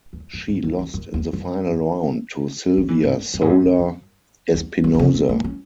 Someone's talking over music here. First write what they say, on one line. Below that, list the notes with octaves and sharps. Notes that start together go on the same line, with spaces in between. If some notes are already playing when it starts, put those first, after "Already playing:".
She lost in the final round to Silvia Soler Espinosa.
E2
F#2
G#2
E2
E2
F#2
E2
F#2
F#3
E3
G#2
F#2
F#2
G#2
F#2
E2
F#2
E2
F#2
D#3
C#3
A3
A3
C#4